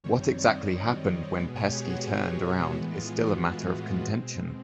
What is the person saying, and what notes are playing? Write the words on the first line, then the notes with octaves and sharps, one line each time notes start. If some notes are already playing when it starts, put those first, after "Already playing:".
What exactly happened when Pesky turned around is still a matter of contention.
F#2 D#3 G3 C4 C#5
C#5
D5
D#5
B2 G#3 B3 D5
C#5
G4
G#4
F#4
F#4
A2 E3 G#3 B3 F#4
F4
F#4
B2 G#3 C4